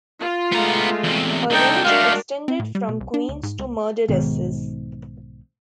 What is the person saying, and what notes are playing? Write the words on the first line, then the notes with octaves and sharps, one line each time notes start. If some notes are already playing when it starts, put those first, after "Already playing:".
Her range extended from queens to murderesses.
F4
G#3 A3 B3 A#5
E2 C3
C2 D3 D#4 A4 G5
G#3 A3 D4 F#4 A#4 D5 F5
C4
A2
G3
B2
C2
D4
D2
G#2
C#2
B1 G#2 D#3